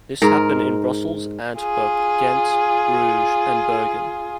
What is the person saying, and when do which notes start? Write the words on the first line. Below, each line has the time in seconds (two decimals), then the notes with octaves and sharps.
This happened in Brussels, Antwerp, Ghent, Bruge and Bergen.
0.22 G#2 A#4
1.59 F4 G#4